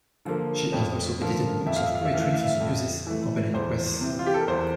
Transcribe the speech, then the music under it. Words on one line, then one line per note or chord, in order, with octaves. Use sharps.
She has also edited books of poetry for the Muses' Company Press.
D3 F3 A#3
F2
D3 F3 A#3
F2 E5
F5
E5
F5
E5
E3 A3 F5
E5
F5
E5
F2
E3 A3
E2 C5
C3 E3
F4
G4
A4
A#4
E2 C5